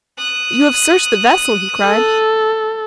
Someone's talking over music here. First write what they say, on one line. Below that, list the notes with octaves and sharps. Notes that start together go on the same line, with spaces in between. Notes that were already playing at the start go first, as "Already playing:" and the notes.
"But you have searched the vessel?" he cried.
D#6 F#6
A4